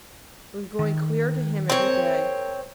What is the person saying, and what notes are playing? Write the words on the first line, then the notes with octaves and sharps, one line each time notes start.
It was growing clearer to him every day.
D#3
C4 G#4 A#4 C#5 G5